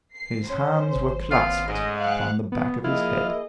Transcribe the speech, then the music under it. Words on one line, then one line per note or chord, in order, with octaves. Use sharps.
His hands were clasped upon the back of his head.
C7
C#4 C5
G#1
C#3 A3 B3 F4 F5
G#2 D#5
F5 F#5 F#6
B3
F3 A#3 E4 F4 G#4 D#5